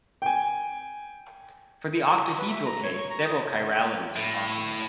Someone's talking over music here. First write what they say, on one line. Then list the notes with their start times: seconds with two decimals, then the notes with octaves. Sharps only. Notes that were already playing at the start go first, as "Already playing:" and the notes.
For the octahedral case, several chiralities are possible.
0.22 G5 G#5
2.38 B4
2.50 E5
2.65 A#5
2.83 C#5
2.97 C#6
3.10 A#5
3.25 D#6
4.16 A2